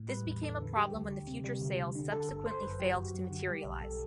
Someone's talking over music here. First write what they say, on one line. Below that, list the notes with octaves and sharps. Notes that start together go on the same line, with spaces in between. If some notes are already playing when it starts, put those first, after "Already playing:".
This became a problem when the future sales subsequently failed to materialize.
Already playing: A2
G3 B4
E2
E2 A4
D3
G3 G4
D2
D2
C3
G3
D2
D2
D3
D3 A4
G1 A4
G1 C5
F#2 B4
F#3 G4
F#2
F#4
F#2
F#4
D3
G3 G4
B1
B1 A4